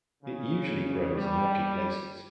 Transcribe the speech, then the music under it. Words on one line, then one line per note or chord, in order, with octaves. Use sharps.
It usually grows in rocky places.
C#3
G3